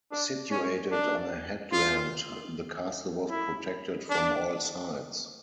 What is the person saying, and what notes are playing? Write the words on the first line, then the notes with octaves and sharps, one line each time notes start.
Situated on a headland, the castle was protected from all sides.
D4
C#4
D4
F4
E4
D4